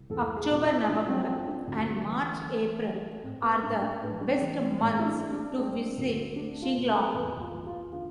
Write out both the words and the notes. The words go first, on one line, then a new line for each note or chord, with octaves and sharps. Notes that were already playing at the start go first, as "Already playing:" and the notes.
October-November and March-April are the best months to visit Shillong.
Already playing: C2
E2 A4
G#4
B2
E4
F3 D4
C4
F3 C4
D4
D2
E3
E3
A3
A2 C4
B3
A2 D4
D4
A2 B4
D4
C4
E3 B3
C4
A2 C4
E4
D4
G#3
D4
G#3 C4
D2
A3 D4
F4
B2
A4
A4
E2 B4
F4
E2
F4
D3 F4